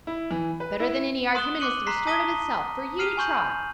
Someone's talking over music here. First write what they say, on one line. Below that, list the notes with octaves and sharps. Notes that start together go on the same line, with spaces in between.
Better than any argument is the Restorative itself--for you to try.
E4
E3
B4
E4
C6 D#6 F#6 E7 G7
C6 D6 F#6 C#7 D#7 F#7
A#5 C6 F#6 B6 C7
A5 D#6 A#6 B6 D#7 G7
F6 C7 D#7 F7
G#5 C6 C#6 G6 F#7